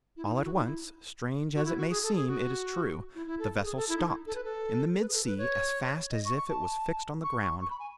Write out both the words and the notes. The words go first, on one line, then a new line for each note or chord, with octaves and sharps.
All at once--strange as it may seem, it is true,--the vessel stopped, in the mid sea, as fast as if it was fixed on the ground.
E4
D#4
E4
F#4
D#4
E4
F#4
E4
F#4
G#4
A4
G#4
F#4
E4
E4
A4
G#4
A4
E4
D#4
E4
A4
B4
A4
B4
G#4
A4
B4
C#5
D#5
C#6
C#6
A5
C#6
C#6
C#6
B5
G#5